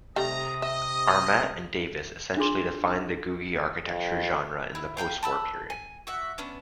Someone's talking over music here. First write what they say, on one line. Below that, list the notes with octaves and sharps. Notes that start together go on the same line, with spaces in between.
Armet and Davis essentially defined the Googie architecture genre in the post-war period.
C3 G3 A3 D#4 A#5 D#6
D#5 E5
D4 F4 G#4 C6
F2
E4
F5 G5 G#5 B5
A5 B5 E6
G#5
F#4 E5 F#5
B3 C#4 D4